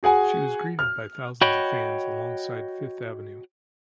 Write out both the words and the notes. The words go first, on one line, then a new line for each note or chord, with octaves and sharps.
She was greeted by thousands of fans alongside Fifth Avenue.
F#4 G#4 F#5 G#5
F6
F#4 C#5 D#5 G5 B5